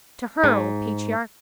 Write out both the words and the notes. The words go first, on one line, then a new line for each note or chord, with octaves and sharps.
To her, old patriarch!
G#2